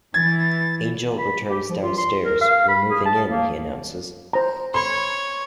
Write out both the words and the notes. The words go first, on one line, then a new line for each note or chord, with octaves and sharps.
Angel returns downstairs; "We're moving in," he announces.
E3 G#6 A6
B5
G4
F3
F4
C6
A#4
F5
B5
G#4
A5
A#3
C5 A#5
C#5 B5 C6